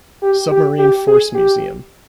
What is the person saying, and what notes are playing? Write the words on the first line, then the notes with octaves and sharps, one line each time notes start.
Submarine Force Museum.
G4
G4
G4
G#4
G4